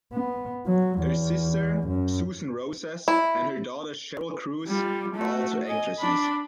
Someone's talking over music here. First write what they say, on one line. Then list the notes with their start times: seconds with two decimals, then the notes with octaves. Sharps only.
Her sister, Susan Roces, and her daughter, Sheryl Cruz, are also actresses.
0.13 B3
0.67 F#3
1.01 E2
1.87 F#2
3.08 E4
4.67 G3 F4
5.15 A3 F#4
5.67 D#5 G#5
5.98 D4 B5